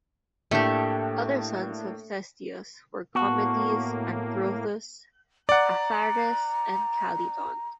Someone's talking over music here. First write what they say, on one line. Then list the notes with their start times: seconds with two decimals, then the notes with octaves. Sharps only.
Other sons of Thestius were Cometes and Prothous, Aphares and Calydon.
0.51 A2 A3 A#3 D4 G4
3.15 A2 A#3 B3 F#4 F#5 A5
5.49 D5 F#5 A#5